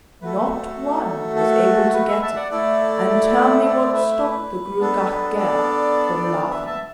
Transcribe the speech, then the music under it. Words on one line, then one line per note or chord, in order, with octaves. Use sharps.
Not one was able to get it and tell me what stopped the Gruagach Gaire from laughing.
A3 F#4 A4 B4
A4
B4
B4 E5
E5 A5
D5 F#5
A3 E4 A4 D5
A4 D5
B4 E5
B4
B3 D4 A4
A4 D5
B4 E5
E5 A5